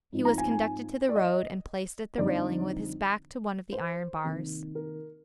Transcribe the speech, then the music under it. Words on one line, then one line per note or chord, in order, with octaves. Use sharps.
He was conducted to the road and placed at the railing with his back to one of the iron bars.
G#2 F3 C4 D#4
A#5
G#5
G#5
D5
D#5
F2 D3 G3 C4 D#4 D5
C5
C3 D#3 A#3 D#4
A#4